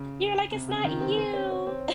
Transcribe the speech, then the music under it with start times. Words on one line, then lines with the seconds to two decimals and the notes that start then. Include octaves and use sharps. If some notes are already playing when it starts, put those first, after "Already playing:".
you're like, "It's not you."
Already playing: C#3
0.51 C3
0.68 C#3
0.84 D#3
1.00 C4
1.17 C4
1.34 C#4
1.51 C#4
1.67 C4